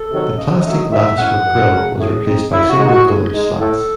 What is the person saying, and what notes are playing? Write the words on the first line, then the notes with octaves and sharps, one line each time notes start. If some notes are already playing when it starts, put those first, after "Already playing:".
The plastic latticework grille was replaced by silver-colored slats.
Already playing: A4
C3 D#3 F#3
C#3 D#5
F#3 A3 C#4
D#3 E5
A3 C#4 E4 F#5
F#2
C#3 F#3 A3 C#4
A2 G#4
G#3 C4 D#4
C#3 E4
F#4
G#3 D#4
F#4
A2 G#4
G#3 D#4
A2 A4